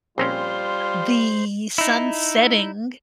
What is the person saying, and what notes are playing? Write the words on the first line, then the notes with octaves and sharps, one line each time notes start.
the sun setting
A#1 G3 C4 C#4 F4 C5
D#4 E4